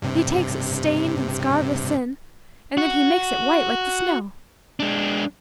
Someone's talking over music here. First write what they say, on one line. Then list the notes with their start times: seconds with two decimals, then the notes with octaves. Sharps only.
He takes it stained and scarred with sin, and then He makes it white like the snow.
0.02 G2 C3
2.77 F#4
4.80 G#3 D4